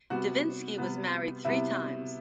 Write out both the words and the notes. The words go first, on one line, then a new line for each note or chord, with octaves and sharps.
Divinsky was married three times.
C3 G3 B3 F#4
C3 G3 B3
C3 G3 B3 E4